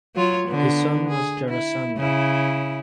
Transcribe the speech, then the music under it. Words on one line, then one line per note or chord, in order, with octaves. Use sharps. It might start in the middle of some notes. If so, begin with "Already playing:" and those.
His son was Jarasandha.
F#3 F4 C#5
D3 B3
G#4
E4
C#3 E4